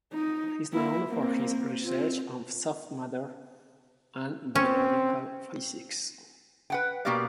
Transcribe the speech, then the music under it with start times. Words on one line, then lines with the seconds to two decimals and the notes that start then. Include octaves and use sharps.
He is known for his research on Soft matter and Biological Physics.
0.14 D#4
0.73 A#3 E4
1.08 A#3 C4
1.83 C4 F4
4.55 C4 C#4
6.70 B4 F#5 G5
7.05 B2 A#3 G4 A#4 D5 F5